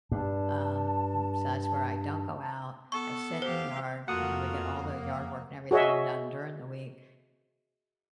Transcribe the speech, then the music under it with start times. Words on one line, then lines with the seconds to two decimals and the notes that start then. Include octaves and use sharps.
Um, so that's where I don't go out, I sit in the yard, you know, we get all the yard work and everything done during the week,
0.12 G2 A5
2.92 B3 A4 C#6
3.42 G4 C5 F5
4.08 F2 A3 A#3 F4 F#4 F#5 D#6
5.71 F#4 G#4 C#5 D#5 E5